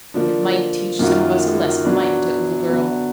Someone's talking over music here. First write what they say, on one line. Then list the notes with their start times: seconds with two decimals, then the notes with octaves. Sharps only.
"It might teach some of us a lesson, mightn't it, little girl?"
0.14 D3 F3 A#3
0.99 F#2 D#3 A#3 F4
1.84 B2 F#3 B3 D4
2.69 D3 F#3 B3